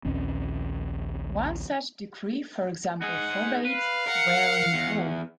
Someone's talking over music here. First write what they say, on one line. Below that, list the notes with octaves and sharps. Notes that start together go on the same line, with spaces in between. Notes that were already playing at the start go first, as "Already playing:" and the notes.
One such decree, for example, forbade wearing wool.
A#1 D#2 C4 C#4
D#4 G#4 F#5
B4 F5
A#4 F#5 C#7
E2